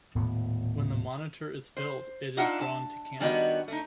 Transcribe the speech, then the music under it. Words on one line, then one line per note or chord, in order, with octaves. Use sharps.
When the monitor is filled it is drawn to camp.
D#1 A2 B3
C5
D4 D#4 F4 E5 F#5
A5
G2 D#3 G3 B3 F#4 D#5
A3 D#4